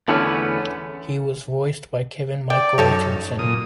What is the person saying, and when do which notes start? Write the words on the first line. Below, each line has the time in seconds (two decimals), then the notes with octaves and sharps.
He was voiced by Kevin Michael Richardson.
0.08 E2 D3 E3 A3 B3 C#4
2.50 D5 G5
2.78 F#2 D#4 A4 C#5
3.39 A#2 D#6